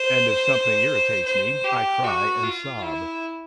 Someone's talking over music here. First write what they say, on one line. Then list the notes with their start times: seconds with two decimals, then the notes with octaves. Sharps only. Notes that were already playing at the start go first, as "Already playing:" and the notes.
And if something irritates me, I cry and sob.
Already playing: C5
1.25 C5
1.64 G4
2.04 F#4
2.43 F4
2.82 E4